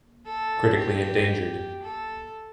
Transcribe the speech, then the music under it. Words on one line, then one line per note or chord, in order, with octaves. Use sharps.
Critically endangered.
A4
G4
A4